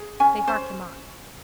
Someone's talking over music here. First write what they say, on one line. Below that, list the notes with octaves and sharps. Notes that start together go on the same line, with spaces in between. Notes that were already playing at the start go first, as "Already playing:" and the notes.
They hark him on.
Already playing: G#4
C#4 G#5
C#4 C5